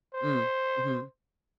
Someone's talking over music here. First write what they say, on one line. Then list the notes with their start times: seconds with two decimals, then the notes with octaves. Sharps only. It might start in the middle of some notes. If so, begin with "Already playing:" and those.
Mm, mhm.
0.14 C5